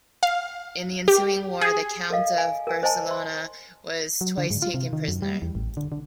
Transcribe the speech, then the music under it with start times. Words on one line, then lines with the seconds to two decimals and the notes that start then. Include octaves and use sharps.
In the ensuing war the Count of Barcelona was twice taken prisoner.
0.23 F5
1.08 G4
1.61 G#4
2.10 A4 A#4 D#5 F5
2.38 G#5
2.67 A#4 G#5
2.83 C5 D#5 G#5 A5
3.11 C6
4.21 F#3
4.38 D3
4.51 G#2
4.62 F4
4.74 C3
4.93 D#3
5.08 F#2
5.22 G3
5.42 E2
5.55 A1
5.77 D3
5.92 D3